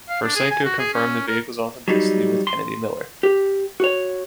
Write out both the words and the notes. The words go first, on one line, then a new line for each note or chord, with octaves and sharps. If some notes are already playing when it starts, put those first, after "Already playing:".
Fursenko confirmed the vehicle's authenticity with Kennedy Miller.
F5
D4
G#4
G#5
F#4
G#4
C#4
A#4
F#3 G3 D#4
C6
G4
F#4 C#5